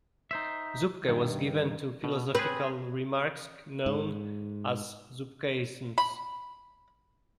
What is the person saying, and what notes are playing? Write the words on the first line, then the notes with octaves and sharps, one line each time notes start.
Zuppke was given to philosophical remarks, known as Zuppkeisms.
D#4 C5 E5
G2 D#3
B2
C4 G#4 B4
G#2
B5